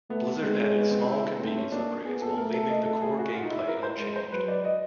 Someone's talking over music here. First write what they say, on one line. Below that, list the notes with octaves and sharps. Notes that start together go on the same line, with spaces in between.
Blizzard added small convenience upgrades while leaving the core gameplay unchanged.
A3 B3
B3
G#3 C4
C#4
B3
C4
E4
B3
A3 C4
C#4
A#3 D4
B3 G#4
A4
A3 A#4
A4
D#5
A4
G#4
F#4
F4
D#4
E4
A#4
C5
G#3
C5
F#3 B4
D5
D#5